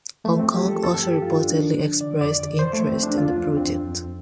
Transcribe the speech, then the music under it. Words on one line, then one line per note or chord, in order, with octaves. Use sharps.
Hong Kong also reportedly expressed interest in the project.
F3 A3
F3 C4
G4
F3
A4
G2 A4
F3 G4
G2 F4
F3 D4
D3
F3
D3 D5
F2 D5
D3
F3 C5
A3
F3
C4
D2 D4
F2 F4
F3 D4
F2 C4
F2
F2